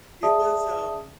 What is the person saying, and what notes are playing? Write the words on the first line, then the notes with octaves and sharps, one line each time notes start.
It was, um
G#4 D5 E5 A5 D#6